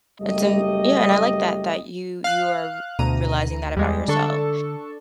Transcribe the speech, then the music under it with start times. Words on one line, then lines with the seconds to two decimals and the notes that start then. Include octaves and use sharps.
That's an Yeah and I like that that you you are re realizing that about yourself.
0.20 F#1 G3 A3 G4 D#5
2.24 F5 F#6
2.99 D2 B2 A#5 D#7
3.77 E2 G3 G#3
4.08 D3 D4 A4 C#6